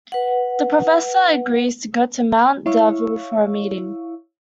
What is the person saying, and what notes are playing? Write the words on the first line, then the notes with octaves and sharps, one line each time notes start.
The professor agrees to go to Mount Devil for a meeting.
B4 F#5
E4 C#5 F5 C#6 E6